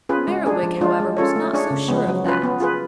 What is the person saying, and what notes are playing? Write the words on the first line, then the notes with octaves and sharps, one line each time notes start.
Merriwig, however, was not so sure of that.
C#4 F4 G#4 B4
G#3
D4 G#4
F3
G#3 D4 F4
G#3
C#4 F4 A4 C#5
A3
D4 G#4 C#5
C#3
F3 G#3 B3
F#3
C#4 F4 B4
B3
F4 G#4 B4